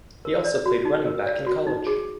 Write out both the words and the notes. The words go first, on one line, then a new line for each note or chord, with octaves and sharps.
He also played running back in college.
A#4
D5
F#4
D#4
A#4
D5
F#4
D#4
G#4